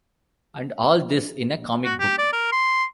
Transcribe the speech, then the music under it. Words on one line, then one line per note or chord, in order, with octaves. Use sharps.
And all this in a comic book!
F#4
G4
D5
A#4
C6